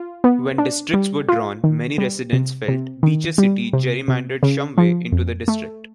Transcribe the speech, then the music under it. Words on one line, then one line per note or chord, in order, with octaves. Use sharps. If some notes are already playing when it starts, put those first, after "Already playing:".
When districts were drawn many residents felt Beecher City gerrymandered Shumway into the district.
Already playing: F4
B3
D4
G3
F4
D#3
G3
C3
C3
D#3
G3
C3
C3
C#3
F3
F2
A3